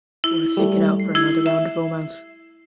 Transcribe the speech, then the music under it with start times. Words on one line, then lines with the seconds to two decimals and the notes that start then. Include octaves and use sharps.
Or stick it out for another round of romance?
0.24 E4
0.57 G3 A3
1.00 C7
1.15 E4 G#6
1.46 E5